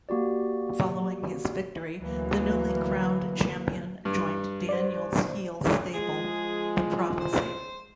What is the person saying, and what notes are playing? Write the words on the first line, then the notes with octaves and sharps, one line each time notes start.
Following his victory, the newly crowned champion joined Daniels' heel stable, The Prophecy.
A#3 F#4 G4 D5
D2 E3 F#3 A#3
G2
C5 D5
F3 G#3 G#4
C5